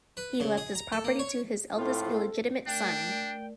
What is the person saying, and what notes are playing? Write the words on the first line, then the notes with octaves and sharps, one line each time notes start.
He left his property to his eldest illegitimate son.
B4
C#3
G#4
A#5
A4
A#3
C#5
A2 C4 F4 A4
A3 D4 A#4 D5 G5